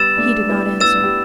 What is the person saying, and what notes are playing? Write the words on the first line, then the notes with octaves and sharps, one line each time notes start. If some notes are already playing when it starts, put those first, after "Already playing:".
He did not answer.
Already playing: G3 B3 E6 A6 E7
A3 D4
B3 E4
B3 E4 E6 A6 E7
G4